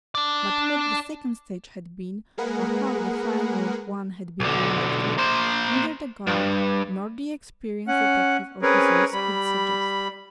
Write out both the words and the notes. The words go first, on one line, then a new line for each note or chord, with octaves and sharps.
But what the second stage had been, or how the final one had been arrived at, neither the guard nor the experienced detective officers could suggest.
D4 D5
G#3 A#3 G#4 A#4 B4 F#5
B1 D3
A#3 C5
G2
C#4 F#5
C4 C#4 G#4 A#4 B4 C#5
G3 B5